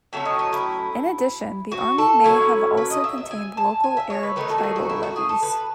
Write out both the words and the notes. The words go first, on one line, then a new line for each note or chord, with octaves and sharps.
In addition, the army may have also contained local Arab tribal levies.
A2 F#3 C#4 E5
D#5
D#5
E4
F#4
A4
F#3 C#4 E4
B4
D#5
E5
E5
G#5
A5
G#5
E5
C#5
B4
D#3 A3 D#4 B4
A4
F#4
G#4
F#4
E4
F#4
G#4
A4
B4